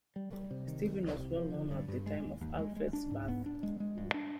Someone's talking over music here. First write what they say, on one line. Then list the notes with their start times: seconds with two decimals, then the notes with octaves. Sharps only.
Stephen was well known at the time of Alfred's birth.
0.16 G3
0.33 G3
0.51 C3
0.68 D#3
0.85 C2
1.03 C2
1.20 C3
1.36 F3
1.54 D3
1.71 G2
1.88 G2
2.06 G#3
2.24 D#2
2.41 D#2
2.59 G#3
2.76 G#3
2.93 D4
3.11 G#2
3.28 B3
3.46 D4
3.63 G#3
3.80 G#3
3.98 G2
4.14 D4